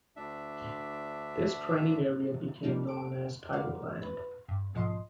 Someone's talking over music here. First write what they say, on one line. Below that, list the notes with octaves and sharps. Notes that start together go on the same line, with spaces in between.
This training area became known as Tigerland.
D2 D4 E5
C3 F3 G3 A#3 D4 D#4
A4 D7
F#4 A#4 D5 F5
B4
G2
B1 G#2 F3 D#5 C6